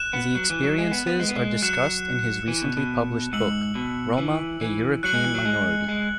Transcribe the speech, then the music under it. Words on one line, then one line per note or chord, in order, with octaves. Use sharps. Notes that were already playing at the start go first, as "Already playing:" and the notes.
The experiences are discussed in his recently published book: Roma - A European Minority.
Already playing: F#6 E7
B3
F#3
E3
F#3
G#3
B3
B3
G#3
B3
G#3
F#3 F#6 C#7 E7
E3
B2
B2
G#2 E6 C#7 F#7
B2
E3
E3
F#3 F#6 C#7 F#7
G#3
E3
F#3
G#3
G#3